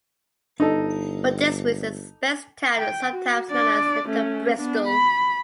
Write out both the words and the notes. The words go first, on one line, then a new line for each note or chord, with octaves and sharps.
For this reason Speightstown is sometimes known as Little Bristol.
G1 D#4 A4
G5
F#4
D4 D5
A3 C#4
B3 D4
B5